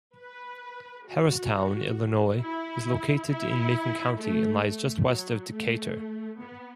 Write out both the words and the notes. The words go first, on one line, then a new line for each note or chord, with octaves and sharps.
Harristown, Illinois, is located in Macon County and lies just west of Decatur.
B4
F#4
E4
E4
A3
A3
F#3
A3
B3